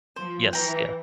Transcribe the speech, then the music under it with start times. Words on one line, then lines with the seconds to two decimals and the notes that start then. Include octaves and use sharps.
Yes, yeah.
0.16 F3 C5
0.53 E3 G5 A#5